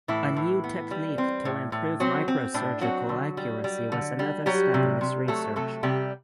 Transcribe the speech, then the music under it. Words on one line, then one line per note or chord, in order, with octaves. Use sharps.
A new technique to improve microsurgical accuracy was another step in his research.
A2 E3 E4
A2
B3
G3
C4
A2
A2
F#3 C4 F#4
C4
A2 D4
F#3 C4 F#4
D3
G3
G3
D3
G3
F#3 G3 G4
C3
C3
F#3 A3 A4
C3 A3 A4
C3 G3 G4